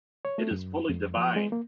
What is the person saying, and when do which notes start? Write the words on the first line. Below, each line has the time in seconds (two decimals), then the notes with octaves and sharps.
It is fully divine.
0.25 C#5
0.38 A3
0.51 F#2
0.89 F2
1.17 F3
1.36 G#3
1.52 A#3